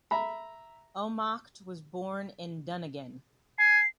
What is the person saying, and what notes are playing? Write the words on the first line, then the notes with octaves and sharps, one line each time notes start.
Ohmacht was born in Dunningen.
E5 A#5 B5
G#5 C7